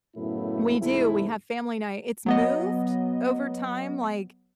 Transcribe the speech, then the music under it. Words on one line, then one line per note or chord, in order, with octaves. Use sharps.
We do, we have family night. It's moved over time, like,
F#2 A2 C#3 A3 B3 E4
E2 G#2 C3 A3 E4
F#3 B3 D#5